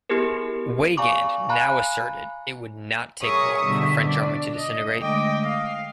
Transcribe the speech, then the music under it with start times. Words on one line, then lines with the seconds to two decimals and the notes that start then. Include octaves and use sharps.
Weygand now asserted it would not take long for the French Army to disintegrate.
0.09 B3 E4 G4 G#4 A#4
0.97 D5 F5 G#5 A#5 C#6 D6
1.49 F5 G#5 A#5 B5 F#6
3.22 G#4 A#4 C#5 E5 C#6 D#6
3.65 B2 D3 G3 E5
4.07 D4 D5
4.55 D#5
5.00 D3 G#3 A3 D#5 G5 D6
5.43 F5